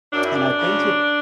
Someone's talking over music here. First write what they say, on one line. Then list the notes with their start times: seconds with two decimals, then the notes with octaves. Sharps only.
And I've been to
0.13 F#2 D4
0.25 E4
0.36 D4
0.58 C#3 F#3 C#4